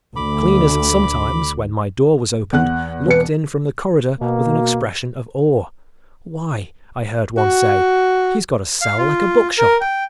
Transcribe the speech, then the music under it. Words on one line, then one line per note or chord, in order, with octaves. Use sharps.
Cleaners sometimes, when my door was opened, looked in from the corridor with an expression of awe. "Why," I heard one say, "he's got a cell like a bookshop."
D2 B5 D6
E2 F#5 F#6
E1 B4 C#7
B2 A#3
F#4
F5
F4
A#4
G5